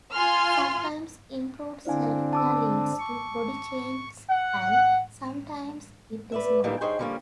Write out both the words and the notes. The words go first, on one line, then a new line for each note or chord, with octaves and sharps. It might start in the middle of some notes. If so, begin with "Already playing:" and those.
Sometimes improved self-care leads to body changes and sometimes it does not.
F4 G#5 C6 F6
D3 C4 D4 E4 F5 G#5
A5 D6 E6
C#6
F#5
B4 D5 E5
A2 D3 E3 G3 A#3 D#4
G2 D#4 G#4 C5 C#5 G5
D3 F3 G3 A#3 C#4